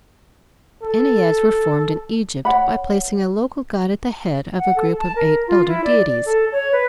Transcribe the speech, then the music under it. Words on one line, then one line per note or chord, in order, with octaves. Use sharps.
Enneads were formed in Egypt by placing a local god at the head of a group of eight elder deities.
A4
C#5 F#5 B5
F#5
A4
A5
A#4
F4
E4
D5
D5
A4
C#5
B4